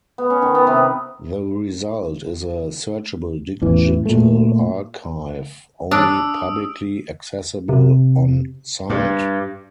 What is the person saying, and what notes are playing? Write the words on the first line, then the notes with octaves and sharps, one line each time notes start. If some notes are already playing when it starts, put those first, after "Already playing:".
The result is a searchable digital archive, only publicly accessible on site.
B3
C#4
D#3
B3
C3
A1 E2 E3
A#2 A3
D4 D#6 E6 D7
C3
G2